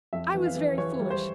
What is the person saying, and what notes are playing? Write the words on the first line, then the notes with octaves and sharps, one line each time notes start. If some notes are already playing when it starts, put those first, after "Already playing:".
I was very foolish.
F2 E5
E3
F5
E3
E3 C#5
G3
C5